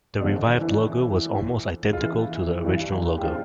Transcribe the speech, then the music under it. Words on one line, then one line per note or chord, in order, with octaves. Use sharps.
The revived logo was almost identical to the original logo.
E2 D3 F3 D4
D4
E3 E4
F4
E3 E4
G2 E3 G3
G4
F3 F4